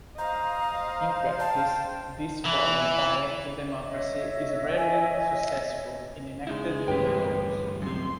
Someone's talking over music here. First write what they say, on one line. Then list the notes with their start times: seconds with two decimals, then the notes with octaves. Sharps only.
In practice this form of direct democracy is rarely successful in enacted new laws.
0.18 C5 D#5 F5 A#5
1.40 G5 A5
2.45 E3
3.86 C#5 D#5 E5
4.77 G#5
6.47 C#3 G#3 D#4 E4 G#4
6.88 D2 G2 E3 G4 B4 C#5 G5 B6
7.82 F#2 C3 C6